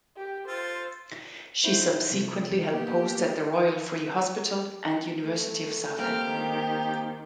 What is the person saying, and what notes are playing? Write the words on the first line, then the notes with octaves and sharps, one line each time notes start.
She subsequently held posts at the Royal Free Hospital and University of Southampton.
G4
F4 A4 C5
D#4 E4 F#4 C5
C3 F3 A3
A#3 B3 G4 B4
A3
A#3 C4 G4 F6
D#3